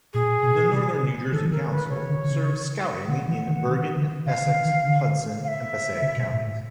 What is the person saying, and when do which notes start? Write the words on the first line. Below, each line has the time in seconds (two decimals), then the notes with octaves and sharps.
The Northern New Jersey Council serves Scouting in Bergen, Essex, Hudson and Passaic counties.
0.14 A#2 G#4
0.43 B2
0.72 C3
1.03 C#3
1.32 D#3 A4
1.44 E3
1.51 D#3 A#4
1.71 D3 B4
1.90 C#3 C#5
2.09 D3
2.24 D3
2.30 C#3
3.08 D3 F#5
3.27 E3
3.48 D#3
3.67 D#3
3.96 D3
4.26 C#3 F5
4.46 D3
4.65 D#3
4.85 D3
5.44 F5
5.48 E5
6.02 C#3
6.17 B2
6.32 A2
6.46 A2